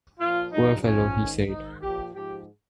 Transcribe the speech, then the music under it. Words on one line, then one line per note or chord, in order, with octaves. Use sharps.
"Poor fellow," he said.
A#2 F3 F4
G2 F3 D#4
G#2 F3 C#4
G#2 D#3
G#2 D#3 D#4
A#2 F3 G4
G#2 F3 G4